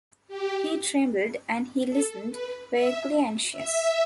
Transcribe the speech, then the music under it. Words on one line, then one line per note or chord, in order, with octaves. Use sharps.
She trembled, and he listened, vaguely anxious.
G4
A4
B4
E5
E5